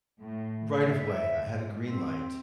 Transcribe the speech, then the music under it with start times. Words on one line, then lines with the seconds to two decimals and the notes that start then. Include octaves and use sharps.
right of way, I had a green light,
0.21 A2
0.88 E5
1.44 G#2
1.87 C4